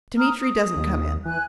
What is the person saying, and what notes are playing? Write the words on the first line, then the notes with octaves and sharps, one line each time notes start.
Dmitri doesn't come in.
A#5 D#6 F6
D#6
D#2
E3 G#5 F#6